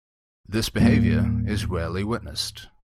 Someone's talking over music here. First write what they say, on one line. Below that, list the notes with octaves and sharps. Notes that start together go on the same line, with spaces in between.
This behaviour is rarely witnessed.
D#2 A2 G3 A#3